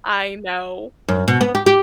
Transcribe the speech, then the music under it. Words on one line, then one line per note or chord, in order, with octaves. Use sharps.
I know.
F#2
B2
B3
G4
G4